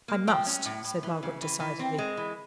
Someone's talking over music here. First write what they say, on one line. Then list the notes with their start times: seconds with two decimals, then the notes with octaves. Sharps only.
'I must,' said Margaret, decidedly.
0.08 A#3
0.27 F3 G5
0.47 C#4
0.65 A2
0.84 A2
1.03 E3
1.23 C#3
1.42 E3
1.60 E3
1.79 C4
1.98 G#3
2.17 E3